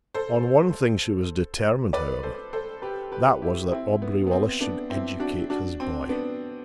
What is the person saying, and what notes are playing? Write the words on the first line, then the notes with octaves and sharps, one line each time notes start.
On one thing she was determined, however: that was that Aubrey Wallace should educate his boy.
A4 C5
B4 D5
A4 C5
A4 C5
G4 B4
G4 B4
E4 G4
C4 E4
B3
B3
C4
B3 D4
C4 E4
D4 F#4
D4 F#4
C4
B3 D4